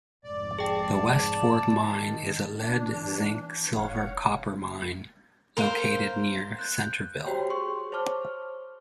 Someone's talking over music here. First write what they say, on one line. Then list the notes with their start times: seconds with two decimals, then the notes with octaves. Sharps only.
The West Fork Mine is a lead-zinc-silver-copper mine located near Centerville.
0.24 F1 G#2 D5
0.59 G#4 G5 A5
1.89 D#3
2.58 D4
2.91 E3
3.76 F1 C#5 F5 F#5
5.57 A#4 C5 F5
6.59 F#6 G6
7.26 F#4 G4 C5 C#5 G5
7.50 G#4 C6 C#6
7.92 C5 C#5 A5 D6 F6